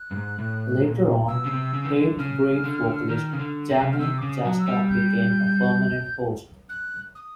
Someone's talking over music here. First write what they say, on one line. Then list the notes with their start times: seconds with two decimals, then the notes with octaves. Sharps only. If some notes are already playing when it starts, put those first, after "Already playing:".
Later on, Hatebreed vocalist Jamey Jasta became a permanent host.
Already playing: F#6
0.11 G2
0.16 G#2
0.38 A2
0.83 A#2
1.28 B2 E6
1.44 C#3
1.51 C3
1.73 C#3
1.85 D#3
1.96 D3
2.19 C#3 F6
2.64 D3
3.09 D#3
3.33 C#3
3.39 D3
3.69 C3
3.92 F6
3.99 C3 E6
4.18 C#3 D6
4.29 D#6
4.44 F#3
4.59 E6
4.67 G3
4.89 G6
6.69 F#6
7.15 D#6